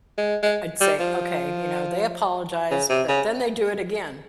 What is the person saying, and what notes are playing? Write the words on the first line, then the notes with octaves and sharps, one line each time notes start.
I'd say, "Okay, you know, they apologized, but then they do it again,"
G#3
G#3
G3
F3
C#3
C3
C#3